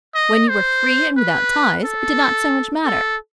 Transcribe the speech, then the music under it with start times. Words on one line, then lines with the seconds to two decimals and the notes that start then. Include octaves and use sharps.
When you were free and without ties, it did not so much matter.
0.15 D#5
0.49 C5
1.17 B4
1.85 A4
2.86 A4